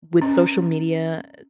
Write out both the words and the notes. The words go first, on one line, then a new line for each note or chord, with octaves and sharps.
with social media, eh,
C#4